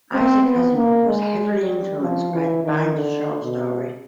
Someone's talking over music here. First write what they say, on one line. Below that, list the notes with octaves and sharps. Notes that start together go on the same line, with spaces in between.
Isaac Asimov was heavily influenced by the Binder short story.
C4
B3
A#3
G#3
G3
F3
E3
D#3
D3
B2